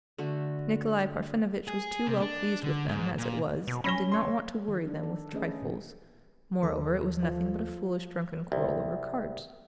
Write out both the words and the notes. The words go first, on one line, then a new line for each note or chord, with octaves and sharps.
Nikolay Parfenovitch was too well pleased with them, as it was, and did not want to worry them with trifles, moreover, it was nothing but a foolish, drunken quarrel over cards.
D3 A3 F#4
G#4
C3
D4
D3
G#2
A#2
B2
C#4 B5 A#6 G7
C#5 C6
D#3
D4
A4
A3 C#4 G#4 B4 D#5 E5
A#2
D#2 A4
F3
C2